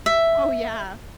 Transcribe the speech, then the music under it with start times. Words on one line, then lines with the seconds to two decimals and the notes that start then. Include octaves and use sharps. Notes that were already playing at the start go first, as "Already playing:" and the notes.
Oh yeah,
0.06 E5